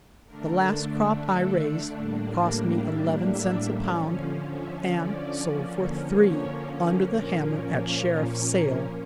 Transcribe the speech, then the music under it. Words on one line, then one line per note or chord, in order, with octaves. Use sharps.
The last crop I raised cost me eleven cents a pound and sold for three under the hammer at sheriff's sale.
D3 A3 D4 A#4
A4
A2 G3 A#3 D4
A#4
E5
E5
D3 F3 C#4
F5
E5
D5
D3 F3 A#3 C#4
C#5
A#2 F3 A#3 C#4 A#4
A#4
A#4